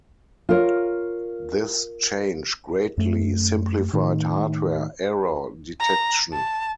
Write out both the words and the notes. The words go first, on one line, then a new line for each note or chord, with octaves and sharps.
This change greatly simplified hardware error detection.
F4 A#4 C#5
F#2 A3
A2 D#3
A#5
A5